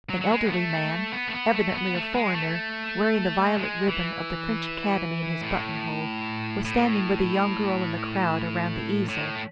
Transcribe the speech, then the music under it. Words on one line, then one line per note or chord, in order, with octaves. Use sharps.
An elderly man, evidently a foreigner, wearing the violet ribbon of the French Academy in his buttonhole, was standing with a young girl in the crowd around the easel.
F#3
F#3
G#3
B3
A3
B3
A3
B3
A3
B3
A3
G#3
A3
G#3
E3
A2
A2
A2
A3